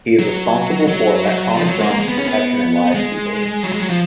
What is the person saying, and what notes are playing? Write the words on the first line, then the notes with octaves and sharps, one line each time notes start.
He is responsible for electronic drums, percussion and live keyboards.
F#3
F#3
F3
F#3
G#3
A#3
G#3
B3
C#4
B3
G#3
F#3
G#3
F#3
F3